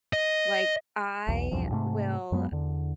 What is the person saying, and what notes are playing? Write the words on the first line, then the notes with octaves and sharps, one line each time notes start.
Like, I will
D#5
B1 E2
B1 E2 G2 F3
G#2 C3 A3
F#2 F#3 G#3 B3
E2 D3